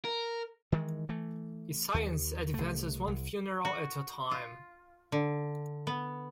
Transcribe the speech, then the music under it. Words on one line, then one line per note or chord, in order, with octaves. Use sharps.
Science advances one funeral at a time.
A#4
D#3 E3 G#3
E3 A3
D#2
C2 A3
C2
F#4
F4
D3
B3